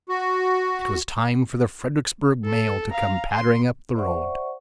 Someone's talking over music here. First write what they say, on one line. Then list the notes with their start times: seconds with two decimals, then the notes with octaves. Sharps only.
It was time for the Fredericksburg mail to come pattering up the road.
0.09 F#4
2.45 A4
2.91 F5 A#5
3.31 C6
3.96 C5 D5 E5 F#5 C#6